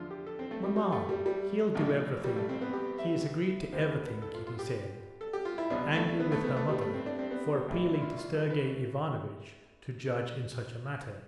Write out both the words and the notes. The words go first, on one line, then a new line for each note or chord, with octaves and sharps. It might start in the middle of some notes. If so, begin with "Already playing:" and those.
"Maman, he'll do everything; he has agreed to everything," Kitty said, angry with her mother for appealing to Sergey Ivanovitch to judge in such a matter.
Already playing: E2 D3 F3 F4
G4
A4
C4
A3
G3
G3
A3
G3
G3
A1 A2 F3
G3
A3
C4
B3
G4
E5
D2 C3 E3 C5
A4
B4
A4
F4
F4
G4
A4
G4
F4
E4
C2 B2 D4
A3
B3
A3
B3
A3
G3
A3
C4
D4
C4
B3
G3
A1 A2 E3
D4
E4
F4
F4
A4
B4